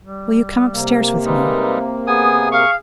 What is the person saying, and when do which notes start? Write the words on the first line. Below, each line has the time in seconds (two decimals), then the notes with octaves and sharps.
Will you come upstairs with me?
0.03 G3
0.73 C3 A#3
1.25 G3 G#3 D#4 B4
2.07 B3 G#4 G#5 D#6
2.52 F5 C#6